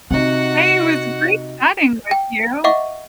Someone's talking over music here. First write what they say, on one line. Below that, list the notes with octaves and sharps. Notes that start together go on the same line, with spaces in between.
Hey, it was great chatting with you.
C3 C4 D#4 F#4 F#5
G5
D#5 E5 F#5 C#6 D6